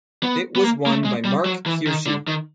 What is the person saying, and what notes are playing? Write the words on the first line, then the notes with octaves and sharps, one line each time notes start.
It was won by Marc Hirschi.
B3
B3
A#3
A#3
A3
G#3
G3
F#3
E3
D#3
D3
D#3